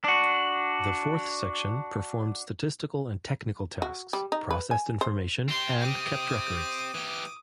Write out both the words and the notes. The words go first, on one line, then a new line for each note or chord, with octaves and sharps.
The fourth section performed statistical and technical tasks, processed information, and kept records.
D4 F#4
F#4
G3
D#4
B4
G#5
C5
C4 G4 C6
D6 D#6
E3 G4